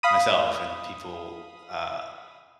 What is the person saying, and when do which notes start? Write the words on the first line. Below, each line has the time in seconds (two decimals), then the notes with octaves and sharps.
myself and people, uh,
0.03 F5 B5 D#6